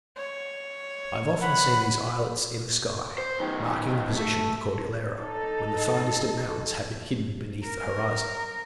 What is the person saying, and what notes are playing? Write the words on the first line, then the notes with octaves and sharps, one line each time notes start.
I have often seen these islets in the sky, marking the position of the Cordillera, when the far-distant mountains have been hidden beneath the horizon.
C#5
F#5 B5
C5
F#2 D#3
A3
D#4 A4
A#4